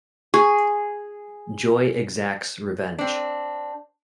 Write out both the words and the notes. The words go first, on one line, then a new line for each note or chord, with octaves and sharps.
Joy exacts revenge.
G#4 C#6
C4 D4